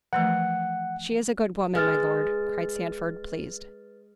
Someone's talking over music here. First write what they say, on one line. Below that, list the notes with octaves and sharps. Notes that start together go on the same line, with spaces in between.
"She is a good woman, my Lord," cried Sandford, pleased.
E3 F3 A3 F#5
G#3 B4 F6 A6